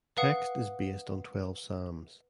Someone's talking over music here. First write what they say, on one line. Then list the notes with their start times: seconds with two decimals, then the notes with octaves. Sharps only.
Text is based on twelve psalms.
0.17 B4 F5 F#5 D#6 C#7